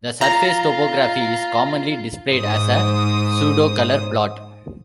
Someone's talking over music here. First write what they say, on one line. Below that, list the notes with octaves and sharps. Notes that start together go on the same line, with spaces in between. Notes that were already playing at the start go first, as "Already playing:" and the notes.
The surface topography is commonly displayed as a pseudocolor plot.
F4 A#5
G#2 C5 D#6